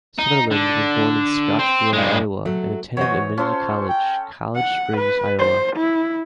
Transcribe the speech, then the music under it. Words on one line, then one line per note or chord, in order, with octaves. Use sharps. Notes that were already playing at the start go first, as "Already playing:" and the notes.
Sutherland was born in Scotch Grove, Iowa and attended Amity College, College Springs, Iowa.
D#4
D3
C4
G2 G#3
F#3 A3
E3 F#4 C5 C#5 D#5
C#4 F4 A4 C5 C6
G5
F#5
B4
C5
E4